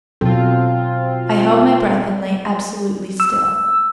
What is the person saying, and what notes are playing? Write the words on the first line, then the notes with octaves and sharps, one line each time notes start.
I held my breath and lay absolutely still.
B2 F#3 C4 F4 A4
E6